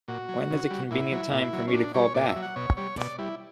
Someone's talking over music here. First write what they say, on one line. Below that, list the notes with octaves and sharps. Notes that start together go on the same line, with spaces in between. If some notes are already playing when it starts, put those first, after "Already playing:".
When is a convenient time for me to call back?
A#2 F#4
F#3
C#3
G3
A#2 E4
F#3
A#2
F#3
C#4
A#2 D4
G3 C#5
A#2 D5
E5
F#3
F#5
B2 C#5
G3 C#5
B2 D5
G3 E4